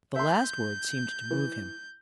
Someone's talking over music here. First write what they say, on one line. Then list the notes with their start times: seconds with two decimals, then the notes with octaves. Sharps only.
The last word seemed to move him.
0.16 E5 C6 G6
1.31 E3